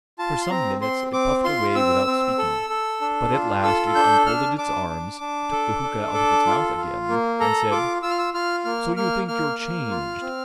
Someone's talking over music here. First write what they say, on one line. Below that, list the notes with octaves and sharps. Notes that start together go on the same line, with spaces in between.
For some minutes it puffed away without speaking, but at last it unfolded its arms, took the hookah out of its mouth again, and said, 'So you think you're changed, do you?'
F4 A5
C6
C4 A#5
C4 C6
C4 D6
F4 C6
C4 E6
C4
A4
A4
D4
F4
A4 E6
D4 G6
D4 F6
D4 D6
D4
D4
A4
D4
A4
F4
F4
A#3
A4 A#5
F4 D6
F4 E6
F6
E6
F4 F6
A#3 F6
A#3 F6
A#3 F6
A#3
F4
C4